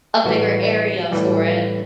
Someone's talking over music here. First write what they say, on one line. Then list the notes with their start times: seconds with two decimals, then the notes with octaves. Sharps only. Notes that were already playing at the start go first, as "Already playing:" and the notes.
a bigger area for it,
0.24 A2 E3 G3 F#4
1.11 A2 E3 G3